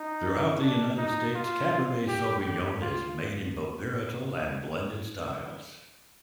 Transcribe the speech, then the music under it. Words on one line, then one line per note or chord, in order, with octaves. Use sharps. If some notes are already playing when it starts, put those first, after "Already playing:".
Throughout the United States, Cabernet Sauvignon is made in both varietal and blended styles.
Already playing: D#4
D4
D#4
F4
G4
G4
F4